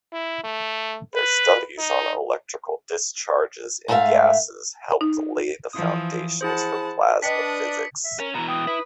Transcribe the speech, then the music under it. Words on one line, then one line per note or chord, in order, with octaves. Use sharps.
Their studies on electrical discharges in gases helped lay the foundations for plasma physics.
E4
A3
B4
D#4
G#2 A3 F4 A#4 E5 F5
D#4
E3 F3 D#6
E4 G#4 C5 F#5 A5
D4 B4 D#5 G5 D#6 B6 C#7
E5
C#4 A#4
B2 E3 A#5
G5 D#6
E4 B4